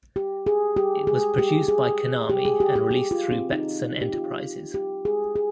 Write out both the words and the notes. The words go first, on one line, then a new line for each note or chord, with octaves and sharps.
It was produced by Konami and released through Betson Enterprises.
G4
G#4
G4
G#4
G4
G#4
G4
G#4
G4
G4
G4
F4
C4
D#4
G4
F4
G4
G#4
G#4